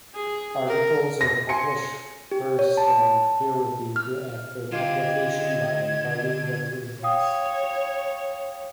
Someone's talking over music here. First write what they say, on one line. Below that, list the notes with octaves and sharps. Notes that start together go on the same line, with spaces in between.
Articles are published first and peer reviewed after publication by invited referees.
G#4
A#4
A#6
G#5 C6 C#7
G4
C#5
A5
F6
D3 F4 G4 D#5 G#6
C#5 F5 G5 D#6